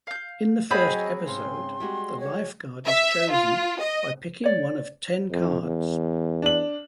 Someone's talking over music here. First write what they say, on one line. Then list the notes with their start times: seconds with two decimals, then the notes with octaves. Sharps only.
In the first episode, the Lifeguard is chosen by picking one of ten cards.
0.07 F5 G6
0.71 C4 G#4 C#5 D#5 F5 F#5 B5
0.88 F#3 C#5
1.27 G#2 C#3 C6
1.80 G3 G#3 F#4
2.20 C#5
2.86 E5
3.31 F4
3.80 D#5
4.44 C#5 D5
5.31 F2
5.62 E2
6.42 D4 F#7